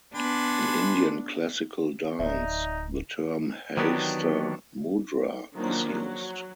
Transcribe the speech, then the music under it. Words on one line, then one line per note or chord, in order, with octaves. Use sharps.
In Indian classical dance, the term "Hasta Mudra" is used.
B3 D4 G#5 B5 C6
D1 D#4 D5 E5
D#3 E3 F#3 B3 D4 G4
D#3 F3 F#3 A#3 D4
F#3